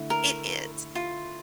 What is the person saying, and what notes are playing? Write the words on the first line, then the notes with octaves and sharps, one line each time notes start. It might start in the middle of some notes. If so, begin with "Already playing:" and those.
It is.
Already playing: D3 A3 E4
A#4
F4